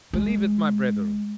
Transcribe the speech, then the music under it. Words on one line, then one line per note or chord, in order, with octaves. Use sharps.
Believe it, my brethren!
G#3